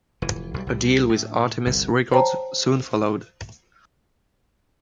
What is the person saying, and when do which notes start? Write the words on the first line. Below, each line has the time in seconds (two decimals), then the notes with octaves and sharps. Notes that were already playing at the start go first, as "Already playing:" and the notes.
A deal with Artemis Records soon followed.
0.22 F1 E3
0.54 B1 G3
0.67 C2 G3
1.09 A2
1.67 G1 C2
2.12 C5 C#5 G5 A5 A#5